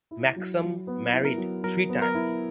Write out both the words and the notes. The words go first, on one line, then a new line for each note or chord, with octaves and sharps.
Maxam married three times.
E4
F#3
F#3
B3
E4
A#4
F#3
F#3 A#4
B3
A#4
E4